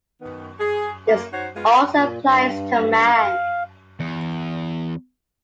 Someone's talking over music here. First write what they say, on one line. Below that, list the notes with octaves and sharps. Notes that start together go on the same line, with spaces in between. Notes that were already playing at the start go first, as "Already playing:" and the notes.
This also applies to man.
D#3 B3
G#4
A#3
D#4 F#4 C5 C#5 F#5
G#3 B3 F4
A#2
G2
F5
E2